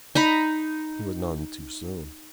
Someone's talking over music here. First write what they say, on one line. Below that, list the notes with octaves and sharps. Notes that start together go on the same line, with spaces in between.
He was none too soon.
D#4 A#5 B5